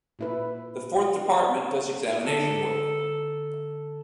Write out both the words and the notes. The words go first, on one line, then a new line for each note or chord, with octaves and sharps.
The Fourth Department does examination work.
A#2 E4 B4
D3 D4 D#4 A4